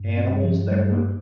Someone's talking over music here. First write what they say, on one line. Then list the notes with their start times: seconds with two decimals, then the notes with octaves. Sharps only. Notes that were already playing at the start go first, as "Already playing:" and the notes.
animals that were
Already playing: G2
0.17 C4
0.31 G2
0.44 F3
0.71 G2 G3
0.92 A#3